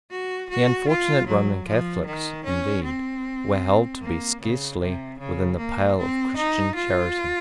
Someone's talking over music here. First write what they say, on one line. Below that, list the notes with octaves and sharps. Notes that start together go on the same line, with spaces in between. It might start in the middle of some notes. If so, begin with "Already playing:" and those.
The unfortunate Roman Catholics, indeed, were held to be scarcely within the pale of Christian charity.
F#4
F#4
F4
F#3
F3
D#3
C#4
C4
A#3
C#3
C3
C#3
A#3
C4
D#4
F4